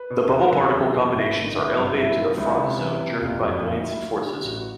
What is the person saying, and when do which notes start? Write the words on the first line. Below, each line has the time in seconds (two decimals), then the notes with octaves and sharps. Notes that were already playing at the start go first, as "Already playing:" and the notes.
The bubble-particle combinations are elevated to the froth zone driven by buoyancy forces.
Already playing: B4
0.10 B2
0.31 E2 B4
0.41 A#4
0.51 F#3 F#4
0.62 F#4
0.71 E2 F4
0.93 B2
1.13 G#1 E4
1.34 D3 D#4
1.49 D#4
1.55 G#1 E4
1.76 G2
1.97 F#3 E4
2.17 D#3 F4
2.37 C#2 E4
2.58 C3
2.79 E3
3.00 C3
3.20 F#1 F4
3.41 F2 F#4
3.62 D2 F4
3.78 D#4
3.83 F#3 E4
3.95 E4
4.03 D2 F4
4.24 D3 G4
4.44 A1 F#4